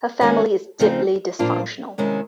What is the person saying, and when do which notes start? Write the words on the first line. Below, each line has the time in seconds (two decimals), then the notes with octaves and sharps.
Her family is deeply dysfunctional.
0.21 D#3 G#3 C#4 F#4
0.79 C#3 F3 A3 C4 D#4
1.39 A#2 F3 A#3 D4 F4
1.98 C3 D#3 G#3 C#4 E4